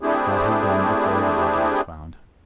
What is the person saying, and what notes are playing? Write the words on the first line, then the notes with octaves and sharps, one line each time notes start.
That had been before the bludgeon was found.
A3 C4 D4 E4 G4 G#4